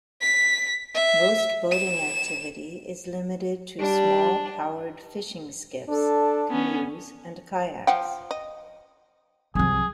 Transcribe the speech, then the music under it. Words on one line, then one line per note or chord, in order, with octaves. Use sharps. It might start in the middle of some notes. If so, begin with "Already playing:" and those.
Most boating activity is limited to small powered fishing skiffs, canoes and kayaks.
B6
E5
E7
G3 D4
D4 A4
B3 C#4
F3 F#5 G5
D#5
C2 F3 G#4